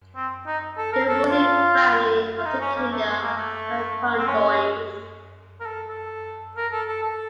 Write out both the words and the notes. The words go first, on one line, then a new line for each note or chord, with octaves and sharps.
The ruling family of the Kingdom are the conDoins.
C4
D#4
A4
A#4
A4
F4
F4
D#4
C#4
A#3
A3
A3
A#3
A3
C4
C#4
A#4
A4
A4
A#4
A4
A4
A4